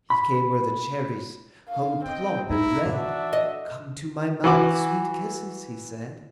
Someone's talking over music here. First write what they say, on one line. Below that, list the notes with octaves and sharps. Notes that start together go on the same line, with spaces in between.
He came where the cherries hung plump and red: "Come to my mouth, sweet kisses," he said.
B5
F5
C4 D#5 G5
D#4 E4 A#5
E3 D4 F#4 E5
D#5
E3 F#4 D6